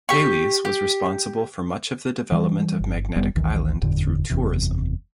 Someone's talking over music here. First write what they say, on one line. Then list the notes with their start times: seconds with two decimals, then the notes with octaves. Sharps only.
Hayles was responsible for much of the development of Magnetic Island through tourism.
0.09 G4 C#6
0.65 G4
2.32 E3 G3
2.80 G1
3.16 F1 G3 B3
3.35 G#1 D2 D#3 E3
3.82 F#1 E2 A2 D3
4.30 F#1 E2 C3